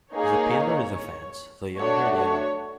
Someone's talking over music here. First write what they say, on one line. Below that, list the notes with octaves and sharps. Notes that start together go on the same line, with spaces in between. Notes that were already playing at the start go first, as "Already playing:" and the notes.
The paler the fans, the younger they are.
A#3 D#4 G#4 C#5
A3 D4 F#4 C#5
C#5